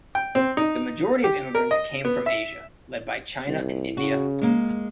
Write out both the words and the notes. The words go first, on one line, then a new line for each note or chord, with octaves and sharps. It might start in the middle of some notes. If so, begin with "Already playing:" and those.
The majority of immigrants came from Asia, led by China and India.
G5
C4
D#4
G4
A#4
D#5
B3
E5
C2
C#3 F#4
G#3 A#3